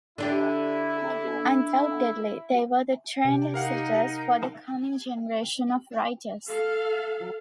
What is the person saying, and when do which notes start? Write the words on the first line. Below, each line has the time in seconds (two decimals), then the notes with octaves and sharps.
Undoubtedly, they were the trend-setters for the coming generation of writers.
0.18 D3 D4 E4 G4
3.25 C3 G4 G5
3.54 D#4 A#4 F5 F#5
6.47 A4 F5